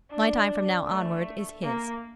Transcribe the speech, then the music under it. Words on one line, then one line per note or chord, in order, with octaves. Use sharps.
My time from now onward is his.
D4
A3
A#3